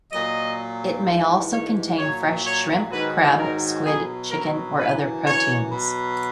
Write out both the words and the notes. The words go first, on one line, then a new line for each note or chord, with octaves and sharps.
It may also contain fresh shrimp, crab, squid, chicken or other proteins.
A#2 F#3 D#5
G#2 E3
C#5
A#2 F#3 C#5
C#5
G#2 D#3 F#3 B4
A#4
B2 F#3 G#4
A#4
F#2 E3 B4
C#5
B2 F#3